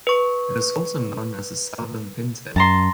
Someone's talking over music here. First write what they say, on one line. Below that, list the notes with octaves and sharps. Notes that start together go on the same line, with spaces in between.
It is also known as the southern pintail.
B4 C#6
F#2 A5 A#5 C6